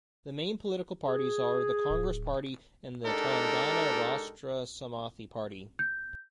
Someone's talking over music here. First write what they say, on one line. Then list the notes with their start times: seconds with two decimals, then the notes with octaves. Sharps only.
The main political parties are the Congress Party and the Telangana Rastra Samathi Party.
1.06 G#4
1.89 D1
3.05 G#3 D4 D#4 G4 A4 A#4
5.79 G6